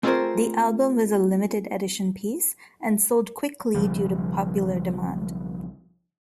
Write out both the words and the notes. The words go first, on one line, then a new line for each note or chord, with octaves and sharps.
The album was a limited-edition piece and sold quickly due to popular demand.
A3 C4 F4 G#4 A#4 C5
B1 C#3 F3 G3